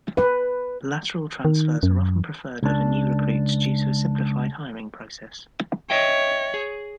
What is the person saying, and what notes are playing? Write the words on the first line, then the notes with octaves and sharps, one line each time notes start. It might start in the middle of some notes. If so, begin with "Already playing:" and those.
Lateral transfers are often preferred over new recruits due to a simplified hiring process.
B4
D#3
F#2
C#2 D4
C#5 D#5 E5 G5
G#4